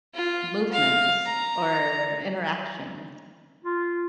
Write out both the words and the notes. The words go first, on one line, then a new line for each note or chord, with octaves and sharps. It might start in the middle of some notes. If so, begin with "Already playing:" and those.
movement to s or interactions.
F4
F5
A#5
F4